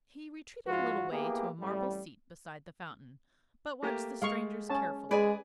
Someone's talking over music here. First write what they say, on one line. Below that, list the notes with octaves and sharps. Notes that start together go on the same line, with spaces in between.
He retreated a little way to a marble seat beside the fountain, but watched the strangers carefully.
G#2 F3 F4 F#4
A#3 B3 E4 G4 G#4
A1 G3
A3 A#3 G4
G#3 F5 C#6
C#4 C#5 A5
G#3 G#4 B4 D5 G#5 B5